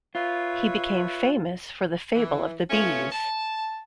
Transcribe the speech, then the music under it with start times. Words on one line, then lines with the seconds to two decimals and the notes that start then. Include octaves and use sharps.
He became famous for "The Fable of the Bees".
0.15 F4 B4 C#5 E5
2.15 E3
2.70 A3 B3 C#4 F4 C#5
3.12 A5